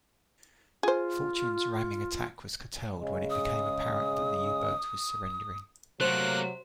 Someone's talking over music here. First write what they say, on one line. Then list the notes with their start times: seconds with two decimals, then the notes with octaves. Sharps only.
"Fortune"s ramming attack was curtailed when it became apparent that the U-Boat was surrendering.
0.83 F4 G#4 C5
2.99 C#3 G#3
3.30 D#6
6.00 C3 F#3 A3 A#3 C5 F#6